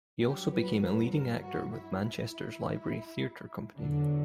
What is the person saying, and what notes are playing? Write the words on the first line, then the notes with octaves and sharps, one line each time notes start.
He also became a leading actor with Manchester's Library Theatre Company.
G2 F#3 G4
B4
B4
A#4
F#4
E4
E4
E2 D3 F#3 D4